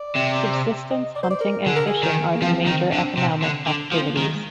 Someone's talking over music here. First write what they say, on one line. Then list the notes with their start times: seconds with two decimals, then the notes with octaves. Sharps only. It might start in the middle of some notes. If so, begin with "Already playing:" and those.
Subsistence hunting and fishing are the major economic activities.
Already playing: D5
0.15 C3
0.91 D#5
1.16 D5
1.23 C5
1.31 D5
1.41 A#4
1.66 D3 G#4
1.76 A#4
1.87 G#4
2.03 D#3
2.35 A#3
2.42 F3 C4
2.66 D#3
2.92 D3
3.17 C3
3.43 D3
3.67 D3
3.92 F3 A#3
4.01 C4
4.08 A#3
4.17 D#3 G#3
4.35 G#3